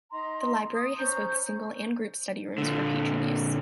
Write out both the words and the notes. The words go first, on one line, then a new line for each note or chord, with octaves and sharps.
The Library has both single and group study rooms for patron use.
D#4 D#5 A#5 C6
D#6
C#4 C5 A#5 G6
A#2 D3